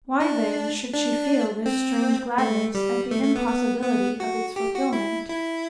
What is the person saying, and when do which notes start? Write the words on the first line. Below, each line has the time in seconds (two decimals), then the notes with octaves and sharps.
Why then should she feel this strange gladness at the impossibility of its fulfilment?
0.20 D4
0.93 D4
1.66 C4
2.38 A3
2.75 G3
3.11 A3
3.23 A3
3.36 B3
3.47 B3
3.83 B3
4.20 F#4
4.56 G4
4.75 F#4
4.93 E4
5.30 E4